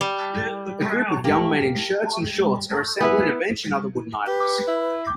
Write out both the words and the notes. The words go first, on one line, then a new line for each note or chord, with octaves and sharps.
A group of young men in shirts and shorts are assembling a bench and other wooden items.
G3
A#3 G4
B3 E4 G#4 B4
G4 B4
E4